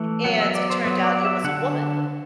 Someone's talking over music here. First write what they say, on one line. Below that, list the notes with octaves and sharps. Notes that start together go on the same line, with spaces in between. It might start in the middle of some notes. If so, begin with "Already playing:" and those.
and it turned out it was a woman.
Already playing: E3 A3
F#3 B3 F#5
E5
E5
D5
C5
F#3 B3
D5
E5
D3 F#5